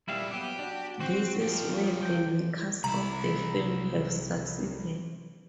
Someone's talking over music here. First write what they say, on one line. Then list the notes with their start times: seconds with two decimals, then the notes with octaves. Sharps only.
This is where the makers of the film have succeeded.
0.08 A#2 G3 E4 E5 F5
0.31 F#3 B3 G4 B4
0.59 D4 F#4
1.00 C4 F#4 C5
1.41 F3 F4 G4
2.03 G5
2.84 C2 E4 A#5